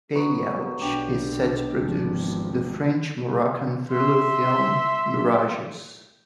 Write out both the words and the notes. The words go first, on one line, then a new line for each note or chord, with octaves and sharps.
Ayouch is set to produce the French-Moroccan thriller film Mirages.
F#3 B3 F#4
B1 D4 G4
G#1 E2 F3
E5 C6